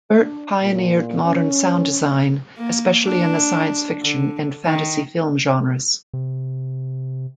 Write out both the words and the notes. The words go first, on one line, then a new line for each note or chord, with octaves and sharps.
Burtt pioneered modern sound design, especially in the science-fiction and fantasy-film genres.
D4
A#2
C#4
A#3
D4
D3
D#3
C3